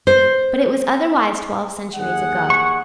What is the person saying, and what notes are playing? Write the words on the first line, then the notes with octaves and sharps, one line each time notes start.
But it was otherwise twelve centuries ago.
C5
D#2 G#4 F#5
C#6